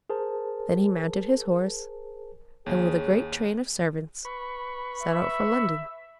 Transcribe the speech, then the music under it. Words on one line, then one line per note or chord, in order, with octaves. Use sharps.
Then he mounted his horse, and with a great train of servants set out for London.
G#4 A#4 C5 A5
D#2 C#4 G#4
B4 B5 C#6
E5